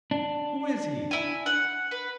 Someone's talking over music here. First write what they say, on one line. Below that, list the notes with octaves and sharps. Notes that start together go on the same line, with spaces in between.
"Who is he?"
D4
E4 G#5
F#5
B4